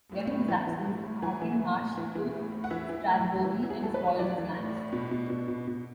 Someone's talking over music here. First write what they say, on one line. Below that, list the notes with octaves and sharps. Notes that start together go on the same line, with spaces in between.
During his absence Argyll marched to Strathbogie and spoiled his lands.
A2
A2
E3
E3
A2
A2
E3 G#5
E3
A2
A2
E3
E3
A2
A2
F#5
E3 E5
E3
A2
A2
E3
E3
G#4
A2 A4
B4
A2
C#5
E3 D5
E3
A2
A2
B2
B2
B2
B2
B2